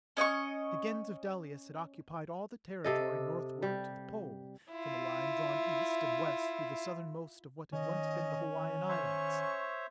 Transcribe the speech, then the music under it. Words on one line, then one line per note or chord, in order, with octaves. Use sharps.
The Gens of Dalis had occupied all the territory northward to the Pole, from a line drawn east and west through the southernmost of what had once been the Hawaiian Islands.
C#4 D#5 F#5 C#6
C3 A4 D#5
G3
E4 F4
D#3 C#4 D#5
C5 C#5 E5 C#6